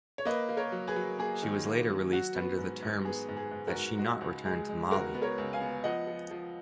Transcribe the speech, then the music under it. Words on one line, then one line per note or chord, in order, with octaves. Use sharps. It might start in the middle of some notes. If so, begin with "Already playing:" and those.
She was later released under the terms that she not return to Mali.
C#5
A#3 B4 D#5
A#3
A#4 C#5
F#3
G#4 B4
F#3
A#3 G#4
D#3
A#3
F#3
F#3 F#4
B3
G#2
G#2
B3 G#4
G#2
G#4
G#2
F#4 A#4
G#2
G#3 F#4
C#2
G#3 G#4
G#3
C#2 F#4 A#4
B3
A#4 C#5
C#2
F5 G#5
B3
F3 D#5 F#5
F3
F3